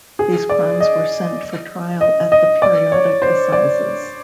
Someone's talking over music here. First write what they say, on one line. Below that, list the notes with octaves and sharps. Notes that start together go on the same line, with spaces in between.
These crimes were sent for trial at the periodic assizes.
G#4
D5
D#5
D#5
D#5
D5
C#5
C5
D5